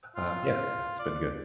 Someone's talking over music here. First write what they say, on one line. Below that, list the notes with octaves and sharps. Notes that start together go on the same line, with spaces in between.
uh, yeah, yeah, it's been good.
F4
D5